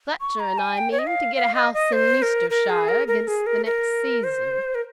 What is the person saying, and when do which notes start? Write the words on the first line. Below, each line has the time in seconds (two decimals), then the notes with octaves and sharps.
Fletcher and I mean to get a house in Leicestershire, against the next season.
0.21 C#6
0.40 A#5
0.58 G#5
0.78 G5
0.92 C#5
0.99 D#5
1.07 F5
1.36 F5
1.55 D#5
1.74 D#5
1.93 C5
2.22 A#4
2.50 A#4
2.69 G#4
2.88 A#4
3.08 A#4
3.27 G#4
3.46 A#4
3.66 A#4
4.24 C5
4.75 A#4